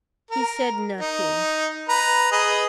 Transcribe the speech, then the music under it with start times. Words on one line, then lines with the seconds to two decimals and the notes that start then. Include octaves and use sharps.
He said nothing.
0.31 A#4
1.01 D#4
1.89 B4 A#5
2.32 G#4 B4 D#5